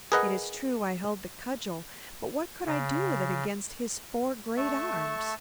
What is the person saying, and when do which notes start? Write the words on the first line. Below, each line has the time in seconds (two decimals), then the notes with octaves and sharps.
It is true I held the cudgel, but what could I do with it against his four great arms?
0.12 G#4 A#4 B4 D#5 F#5
2.66 C#3
4.57 A3 E5 A5 C#6